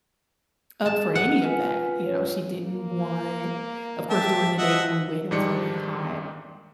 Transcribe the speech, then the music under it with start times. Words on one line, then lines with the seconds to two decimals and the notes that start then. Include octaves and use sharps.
up for any of that, you know, she didn't want of course during the day when we went, it was very hot,
0.86 G#4 A5
1.15 F#5
1.42 F4 B4 G#5
2.05 C#5
2.65 A#3
4.10 G4 E5 A5
4.58 F3 D#5 E5 F#5
5.31 G#2 D#3 G3 D4 C#7